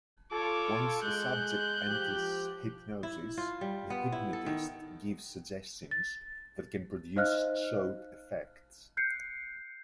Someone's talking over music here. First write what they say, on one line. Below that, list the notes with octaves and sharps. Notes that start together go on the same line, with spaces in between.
Once a subject enters hypnosis, the hypnotist gives suggestions that can produce sought effects.
F4 A4 C#5 D6
G#3 F#6 G6
F3 G4
E4
F4
G3
B3
E4
A4
D#3
A6
D#4 C5 D#5 F5 F6 F#6
F#6 G6 C7 C#7